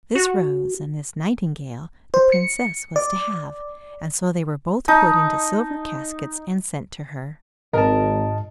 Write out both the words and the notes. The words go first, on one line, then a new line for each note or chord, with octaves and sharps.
This rose and this nightingale the Princess was to have, and so they were both put into silver caskets and sent to her.
F#4
C5
C#7
D5
D#4 A5
G#1 G#2 A#4 D#5 A5